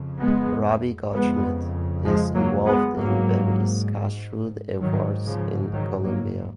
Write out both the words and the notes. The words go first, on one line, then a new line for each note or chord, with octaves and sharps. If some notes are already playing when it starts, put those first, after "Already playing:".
Rabbi Goldschmidt is involved in various Kashrut efforts in Colombia.
Already playing: F2 C#3
G#3 B3
F2 C#3 G#3 B3
F3 G#3
F#3 A#3
G#3 B3
G#2 F#3 A#3
G#2 D#3 F#3
C#3 F3
D#3 F#3
F#3 A#3